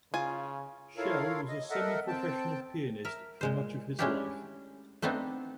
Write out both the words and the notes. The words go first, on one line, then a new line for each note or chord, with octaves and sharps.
Schell was a semi-professional pianist for much of his life.
C#3 F4 G#5
E4 F4 A4 A#4 C#5 F5
D#5
A4 A#4 D#5 E5 F#5
C4 G5 A5
A#4 E5
A#2 G#3 C5
G#3 A3 C#4 D4 E4 G4
A3 B3 C4 D4 D#4